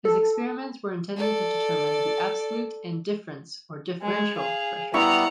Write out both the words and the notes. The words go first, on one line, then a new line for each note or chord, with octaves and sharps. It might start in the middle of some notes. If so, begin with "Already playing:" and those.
His experiments were intended to determine the absolute and difference, or differential, thresholds.
A4
A4 D5
G#3 G#4
G#4 F5
G3 B3 E4 F#5 A#5 C#6